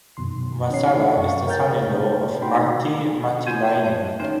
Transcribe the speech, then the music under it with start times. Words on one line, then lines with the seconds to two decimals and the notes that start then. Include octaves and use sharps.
Vasala is the son-in-law of Martti Matilainen.
0.17 F#2 B2 D#3 C6
0.70 D#3 C#4 D#4 C#5 C7
0.91 D4 A4
1.17 F#2 C#6
1.47 A#4 C#5 G5 F6 G6 A6
2.42 D#4 F#4 G5 B5 C6
3.46 C5 G#5
3.67 D#5 E5 G5
3.84 G4 C#5 A5
4.20 D#3 C#4 D#4 C5 C#5